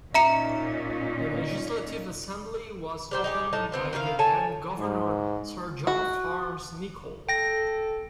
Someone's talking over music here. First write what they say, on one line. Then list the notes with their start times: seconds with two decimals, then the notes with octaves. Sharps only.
The Legislative Assembly was opened by the then governor Sir John Fearns Nicoll.
0.14 A#2 C#4 D#4 E5 A#5 C#7
3.11 G3 C5 G5
3.24 D#4 G4 G#4
3.53 A2 D#4 A5
3.72 B3 C4 F4
3.93 D#3 E4 C5 F5
4.19 A4 C#5 G#5 A5
4.78 G#2
5.87 F#4
7.29 A4 G5 A#6